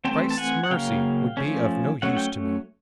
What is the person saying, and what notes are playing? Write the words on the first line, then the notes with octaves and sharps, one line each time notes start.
Christ's mercy would be of no use to me.
E3 A3 C4 G5 A5
A5
F#5 G#5
F#5
C#3 F#3 A#3 C#4 F5 G5
F3 A3 C#4
F#3 A3 C#4 F#5
G5